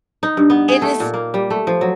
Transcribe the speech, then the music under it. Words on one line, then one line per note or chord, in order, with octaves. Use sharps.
It is
D#4
G2
B3
G#4
A3
A#2
A#3
G3
A3
F3
F#3